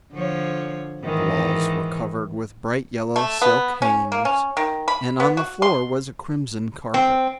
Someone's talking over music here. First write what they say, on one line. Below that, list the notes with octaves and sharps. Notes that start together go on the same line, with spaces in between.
The walls were covered with bright-yellow silk hangings and on the floor was a crimson carpet.
D3 F3 C#5
G#2 D#3 E3
A3
B3
C#4
A#3
C#4
D#3
B5
B3
F#4
C6
C4